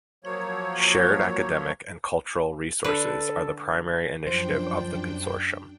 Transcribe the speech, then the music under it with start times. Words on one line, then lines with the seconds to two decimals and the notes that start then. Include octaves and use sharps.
Shared academic and cultural resources are the primary initiative of the consortium.
0.24 F3 F#3 A#3 C#5
2.84 D3 A4 B4
4.27 F#2 F3 D4 C5 G5